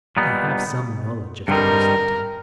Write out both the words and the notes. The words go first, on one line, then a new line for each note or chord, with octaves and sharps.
"I have some knowledge of the priestly tongue."
A#2 G3 B3 D#4
G2 D3 G3 C4 D#4 A#4